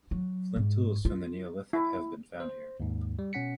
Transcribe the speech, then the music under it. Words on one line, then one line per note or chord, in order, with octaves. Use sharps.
Flint tools from the Neolithic have been found here.
F#3
G#2
F4
E4
C5
D#2 G#2
G3
B2 C#4 F#5 B6 C#7